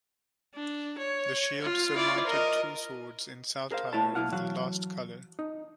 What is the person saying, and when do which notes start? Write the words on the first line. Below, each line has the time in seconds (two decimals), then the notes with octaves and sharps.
The shield surmounted two swords in saltire of the last colour.
0.55 D4
0.98 C#5
1.62 F4
1.94 E4 D5
2.27 A#4 D#5
3.71 G#4 A#4 C5 F5
3.93 A3 E4 C#5 A5
4.15 B1 D3 A#3 E4 F5 F#5
4.33 E3 F#3 F5 F#5
5.39 D#4